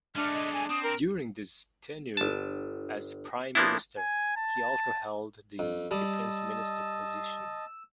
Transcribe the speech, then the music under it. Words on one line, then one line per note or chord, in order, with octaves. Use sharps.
During this tenure as prime Minister, he also held the Defense Minister position.
G#3 A3 D4 F6
D#5
G#5
C4 D#6
A#4
G1 A5
F3 A#3 B3 D4 E4
G#5
A5
F2
G3 D#5 A5 E6
E6